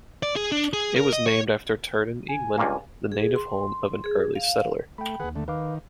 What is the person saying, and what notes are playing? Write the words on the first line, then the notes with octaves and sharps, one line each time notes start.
It was named after Turton, England, the native home of an early settler.
D5
G#4
D4
G#4
A#4
D#5
C#5
G#5
C#2 G2 A#3
G#4
C6
G#4
F5
A3 G5 B5
D#2 D#3 G#4 B4 F#5
D3 A3
D#3 B4 F5 D6